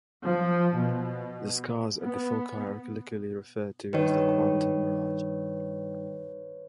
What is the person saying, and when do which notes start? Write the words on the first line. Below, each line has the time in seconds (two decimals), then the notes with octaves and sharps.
The scars at the foci are colloquially referred to as the "quantum mirage".
0.23 F3
0.74 B2
2.01 B3
3.93 G2 D#3 B4 C#5